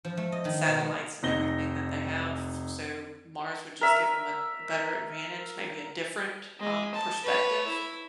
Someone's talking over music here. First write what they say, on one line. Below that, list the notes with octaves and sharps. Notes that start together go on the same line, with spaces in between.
satellites and everything that they have. So Mars would just give 'em a a better advantage, maybe a different, um, perspective
F3
A3
D#5
D#3
B2
A3
F1 D#4 A#6 G7
A#4 E5
G#3
A5
B4 C#5
E4